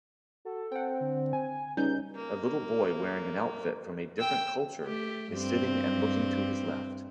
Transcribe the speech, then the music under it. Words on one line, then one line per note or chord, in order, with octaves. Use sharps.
A little boy wearing an outfit from a different culture is sitting and looking to his left.
F#4 A4
C4 F#5 G5
D3
G#5
C#2 G3 C#4 D#4 G6
A#3
G5 E6
A3 G4
G2 C4